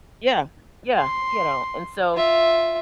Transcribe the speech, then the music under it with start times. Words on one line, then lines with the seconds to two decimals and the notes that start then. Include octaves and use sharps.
Yeah, yeah, you know? And so,
0.98 C6
2.14 F4 E5